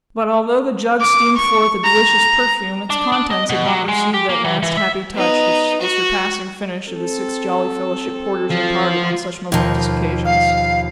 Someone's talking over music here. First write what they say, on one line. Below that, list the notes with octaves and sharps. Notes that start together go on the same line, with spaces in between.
But although the jug steamed forth a delicious perfume, its contents had not received that last happy touch which the surpassing finish of the Six Jolly Fellowship Porters imparted on such momentous occasions.
D6
C#6
A#5
D4
D4
D#5
B2
F#3
G#3
G4
A#3
E3
E3
E5
B3 D#4
F#4
C4 A4
F3 F4
D#2 B2 F3 A#4
F5 F6 C7